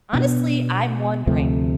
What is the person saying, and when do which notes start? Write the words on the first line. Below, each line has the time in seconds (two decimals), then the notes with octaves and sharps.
honestly, I'm wondering
0.13 B2 B3 D4
1.27 D2 C3 F3 A3